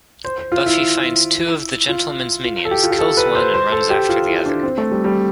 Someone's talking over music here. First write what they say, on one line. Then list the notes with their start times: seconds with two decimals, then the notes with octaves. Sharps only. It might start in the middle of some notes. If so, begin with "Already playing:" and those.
Buffy finds two of The Gentlemen's minions, kills one and runs after the other.
0.24 C5
0.38 C5
0.52 F4
0.66 E4
1.89 F4
2.44 F4
2.65 A4
2.71 G4
2.83 F4
2.91 G4
2.99 A4
3.17 B4
3.35 C5
3.54 C5
3.72 A4
3.90 G4
4.09 F4
4.27 E4
4.46 D4
4.63 C4
4.78 A3
4.92 G3
5.04 G3